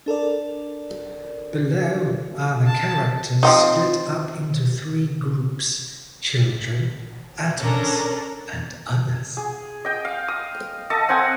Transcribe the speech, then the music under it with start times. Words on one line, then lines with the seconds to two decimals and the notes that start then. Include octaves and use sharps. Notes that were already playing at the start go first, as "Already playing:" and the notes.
Below are the characters split up into three groups, children, adults, and others.
0.06 D4 A4 A#4 D5
2.67 A5
3.43 F3 C4 D#4
7.59 C#4 D4 A4 A#4 A#5
9.37 G#4
9.85 D#5 G5
10.05 F5
10.28 D#6
10.90 A4 D#5 A5
11.09 C4 F#5 G#5 D#6